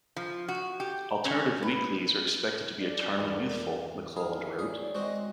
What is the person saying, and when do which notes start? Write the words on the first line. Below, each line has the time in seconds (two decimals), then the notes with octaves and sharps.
"Alternative weeklies are expected to be eternally youthful," McClelland wrote.
0.16 F3
0.48 F#4
0.80 G4
1.25 C#4
1.63 B4
2.79 D5
3.21 E2 F#4 A4 A#4
3.55 G2 E3
4.16 G#2 G#4 A#4
4.59 D#3 G#4 C#5 D5
4.95 G#3 C4 F#4 D#5